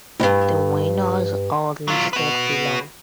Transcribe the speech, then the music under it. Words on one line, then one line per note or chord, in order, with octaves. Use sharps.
The winners are listed below.
D2 G2
F#3 F4
F#4 B4